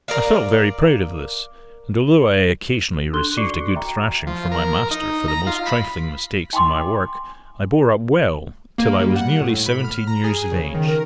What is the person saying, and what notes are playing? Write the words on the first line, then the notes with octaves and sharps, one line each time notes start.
I felt very proud of this, and although I occasionally received a good thrashing from my master for the most trifling mistakes in my work, I bore up well till I was nearly seventeen years of age.
A#4 D5 F5
D4 A4 C6 F#6 G7
F#4 D5 C#6 D6 C7 C#7
E5 G5 A#5
F3
A#4
D#4
A#5
F4
B5
G5 G#5 B5 C6 D6
A#3
G3
F#5
A2
B5
F6
A#5
G#4
C#3
D#3
A#4